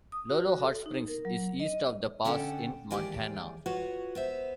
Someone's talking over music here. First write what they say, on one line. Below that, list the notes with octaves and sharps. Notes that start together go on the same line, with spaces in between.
Lolo Hot Springs is east of the pass in Montana.
D#6
F#4
A4
D#4
A#4
F#3
D#5
D3 C#4 A4 F#5 G5
D#2 E3 G4 G#4 C#5 D5
F4 F#4 B4 C#5 F#5
B3 C5 E5